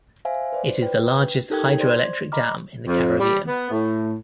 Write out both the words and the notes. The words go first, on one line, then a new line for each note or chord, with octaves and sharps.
It is the largest hydroelectric dam in the Caribbean.
C5 E5 F5 G#5
B4 C5 D5
B4 G5
D#4 G4 A4 A#4 G5 G#6
C5 D5 C6 G#6
D#5 A#5 B5 D6 F6
F2
G3
B3
A2